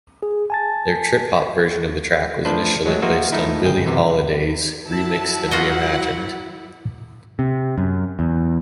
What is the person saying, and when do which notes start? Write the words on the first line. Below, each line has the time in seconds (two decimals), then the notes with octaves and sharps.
Their trip-hop version of the track was initially placed on"Billie Holidays: Remixed and Reimagined".
0.23 G#4
0.50 G#5 A5 A6
2.45 F3 A3 D4 B4 C5
2.86 F#3 G#3 A3
3.02 F3 A#3 F4 F#4 E5
3.32 F3 A3 D#4 E4
3.63 G1 C#2 G#4 G5
3.86 F#2 C3 E3
4.88 F#3 E4 A5
5.51 F4 F#4 D#5 F#5
7.39 C3
7.78 F#2
8.19 E2